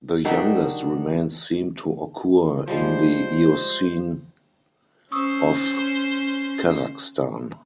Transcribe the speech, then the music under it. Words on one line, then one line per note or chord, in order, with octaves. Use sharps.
The youngest remains seem to occur in the Eocene of Kazakhstan.
F#3 D4 D#4 F#4 G4 A#4
F3 G3 G#3 C5
C#4 C5 C#6 D#6 E6